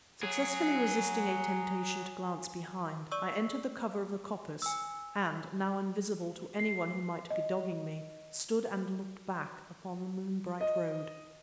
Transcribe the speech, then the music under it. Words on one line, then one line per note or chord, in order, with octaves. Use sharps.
Successfully resisting a temptation to glance behind, I entered the cover of the coppice, and, now invisible to any one who might be dogging me, stood and looked back upon the moon-bright road.
F#3 G#4
D5 C#6 E6
G#5 E6
C7
D#5
D#5